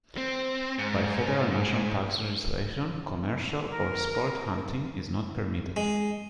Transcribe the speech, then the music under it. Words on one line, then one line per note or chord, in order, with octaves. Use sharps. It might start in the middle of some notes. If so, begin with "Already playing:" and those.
By federal national parks legislation, commercial or sport hunting is not permitted.
C4
G#2
A#4
G#3